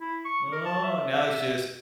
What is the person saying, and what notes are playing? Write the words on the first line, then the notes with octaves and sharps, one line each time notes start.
Oh, and now it's just
E4
C#6
A#4
A5
E5